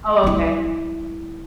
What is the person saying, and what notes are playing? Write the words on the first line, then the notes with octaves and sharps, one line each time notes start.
Oh, okay.
G3 E4